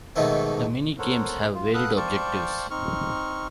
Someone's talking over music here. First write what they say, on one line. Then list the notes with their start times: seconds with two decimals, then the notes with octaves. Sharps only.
The mini games have varied objectives.
0.16 G#2 B2 D#3 A3 C4
0.99 A4 A#4 C5 C#5 F#5
1.55 F4
1.74 A4 B4 F5 F#5 D#6 F#6
1.97 C5 D5 F5 G5 A5 C#6
2.71 C4 D#4 C#6 F6